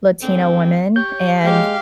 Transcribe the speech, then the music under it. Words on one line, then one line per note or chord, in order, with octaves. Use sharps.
Latino women, and,
G#2 D3 C4
G4 C#5 G6
F#3 G#3 A#3 G4 F5